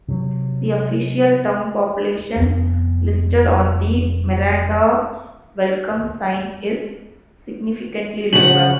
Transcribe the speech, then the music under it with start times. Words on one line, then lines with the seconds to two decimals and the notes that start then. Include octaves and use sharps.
The official town population listed on the Miranda welcome sign is significantly lower.
0.08 C3 F#3
2.36 F1 F2 B3 C4
8.33 C#3 F#5 F#7